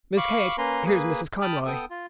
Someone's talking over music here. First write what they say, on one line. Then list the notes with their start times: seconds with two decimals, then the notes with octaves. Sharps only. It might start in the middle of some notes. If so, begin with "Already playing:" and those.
"Miss Kate, here's Mrs. Conroy."
0.17 F5 B5 C#6 D6
0.58 A#3 C#4 B4 A#5 C6
0.85 A#3 G#4 B4
1.42 G5 A5 B5 D#6 F6
1.67 B3 A4 G5 D#6
1.90 F4